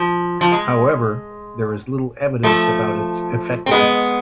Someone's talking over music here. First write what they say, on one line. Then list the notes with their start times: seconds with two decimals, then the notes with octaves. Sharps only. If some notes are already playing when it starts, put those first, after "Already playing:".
However, there is little evidence about its effectiveness.
Already playing: F3
0.41 F3
0.52 G#3
2.43 F3 A3
3.66 C4
3.71 G#3 B3